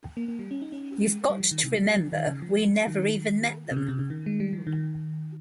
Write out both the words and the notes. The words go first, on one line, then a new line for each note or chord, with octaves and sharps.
You've got to remember, we never even met them.
A#3
A#3
G3
C#4
D#4
C#4
G#3
G3
F3
D#3
C3
G3
G3
F3
D#3
C#3
F3
D#3
C3
C#3
C3
C#3
D#3
G#3
G3
F3
D#3